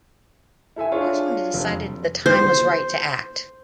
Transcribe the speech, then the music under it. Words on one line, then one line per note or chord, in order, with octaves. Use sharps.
Washington decided the time was right to act.
E4 A4 E5 G#5
D4 F4 G#4 C#5 F5
F1
C5